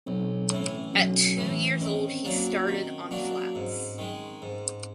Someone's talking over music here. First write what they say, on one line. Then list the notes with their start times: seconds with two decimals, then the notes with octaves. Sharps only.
At two years old he started on Flats.
0.06 B1 C4
0.50 A2 E3 C#4
0.94 B1 C#4
1.37 A2 E3
1.81 D#3 C#4
1.92 C4
2.13 C4
2.25 F#3 A#3 D4
2.68 D#3
3.11 F#3 A#3 D4
3.55 G#2
3.98 D#3 G#3
4.42 G#2